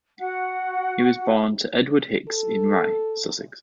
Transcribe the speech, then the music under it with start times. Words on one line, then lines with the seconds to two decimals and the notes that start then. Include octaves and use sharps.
He was born to Edward Hicks in Rye, Sussex.
0.19 F#4 F#5
2.28 A4